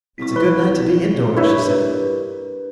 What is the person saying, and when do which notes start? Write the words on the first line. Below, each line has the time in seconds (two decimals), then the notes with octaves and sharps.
"It's a good night to be indoors," she said.
0.18 C2 C#6 B6
0.36 E3 B4 G7
1.37 G2 D4 E4 A#4 B4 C#5 E5